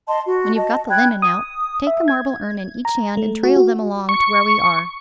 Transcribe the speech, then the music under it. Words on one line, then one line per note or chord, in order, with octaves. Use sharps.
When you've got the linen out, take a marble urn in each hand and trail them along to where we are.
D#5 A5 C6
F#4
D#5 A5
G5 B5 F#6 G#6
D#6
E5
G#6
A#5
A3
F#4
F#4
C#6